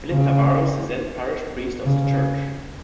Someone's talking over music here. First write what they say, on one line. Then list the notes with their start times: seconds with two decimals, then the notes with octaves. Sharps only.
Philip Tavares the then parish priest of the Church.
0.11 C#3
1.85 C#3